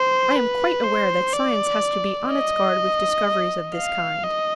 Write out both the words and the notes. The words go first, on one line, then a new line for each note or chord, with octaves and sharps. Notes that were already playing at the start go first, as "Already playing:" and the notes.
I am quite aware that science has to be on its guard with discoveries of this kind.
Already playing: C5
B4
C5
D5
D#5
F5
D#5